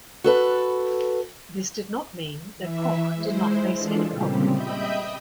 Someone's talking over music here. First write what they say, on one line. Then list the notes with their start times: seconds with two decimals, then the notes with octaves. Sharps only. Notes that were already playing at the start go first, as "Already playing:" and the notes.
This did not mean that Kok did not face any problem.
0.24 F#4 A4 B4
2.56 E3 E5
3.14 G#3 E4 C5
3.76 E3 G#3 D4 F4 A4
4.10 A#2 C#3 G3 C4 G4
4.49 D#5 E5 G5 B5 D#6 G6